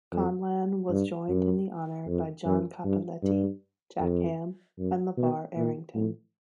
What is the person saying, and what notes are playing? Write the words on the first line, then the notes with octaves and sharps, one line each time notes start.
Conlan was joined in the honor by John Cappelletti, Jack Ham and LaVar Arrington.
F2
G2
F#2
F2
F#2
G2
G2
F2
F#2
B2
A#2
A2